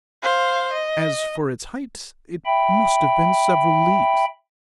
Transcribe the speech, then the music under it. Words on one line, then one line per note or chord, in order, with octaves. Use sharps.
As for its height, it must have been several leagues.
C5 F5
D#5
E5 G5 B5